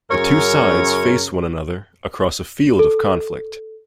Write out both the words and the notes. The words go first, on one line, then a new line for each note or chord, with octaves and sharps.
The two sides face one another across a field of conflict.
F#2 C#3 A#4 C#5
A4